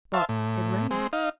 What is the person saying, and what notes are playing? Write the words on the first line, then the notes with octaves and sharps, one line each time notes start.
"But it rains."
C5 E5 F5 A5
A2
G#3 C4
D#4 F5